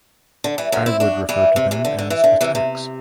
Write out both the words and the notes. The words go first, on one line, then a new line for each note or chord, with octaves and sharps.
I would refer to them as attacks.
D3
E3 G3
D3 F#3
C4 E4
D4 F#4
E3 G3
C3
C3 E3
D3
D3
E3
D3
C3 E3
C3